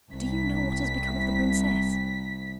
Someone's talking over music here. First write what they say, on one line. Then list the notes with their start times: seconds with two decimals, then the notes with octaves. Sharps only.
Do you know what has become of the princess?'
0.11 C2 B6